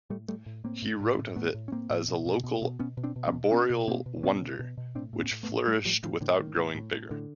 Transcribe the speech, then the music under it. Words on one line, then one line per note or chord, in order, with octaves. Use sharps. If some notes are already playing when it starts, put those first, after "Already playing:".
He wrote of it as a local 'arboreal wonder' which 'flourished without growing bigger'.
A2 G3 A3
A2 G3 A3
A2
A2 A#3 C4
A2
A2
A2
A2 A3 B3
A2
C#4
A2 A#3 C4
A2
B2
B2
B2
B2
B2 B3 C#4
B2
C4 D4
B2
B3 C#4
B2
B2 B3 C#4
B2
B2 A#3 C4
B2
B2 B3 C#4
B2
B2
B2
A2 C4 D4
A2
B3 C#4
A2
A3 B3
A2
A2 G3 A3
A2 F3 G3
A2 D#3 F3
A2 D3 E3
A2 D#3
A2
A2
A2
A2 D3